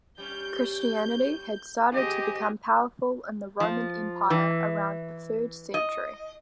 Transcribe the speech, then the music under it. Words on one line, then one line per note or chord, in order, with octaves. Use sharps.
Christianity had started to become powerful in the Roman Empire around the third century.
G3 C#4 G6
C4 G4 G#4 D#5
F3
E3
D#5